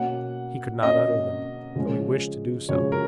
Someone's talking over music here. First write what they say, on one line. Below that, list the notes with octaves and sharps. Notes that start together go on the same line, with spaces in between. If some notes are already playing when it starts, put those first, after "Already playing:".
He could not utter them, though he wished to do so.
Already playing: B2 A#3 C#4 F#5
B2 A#3 C#4 D#5
C#3 F3 G#3 C#4
C#3 F3 G#3 C#4 C#5
A#4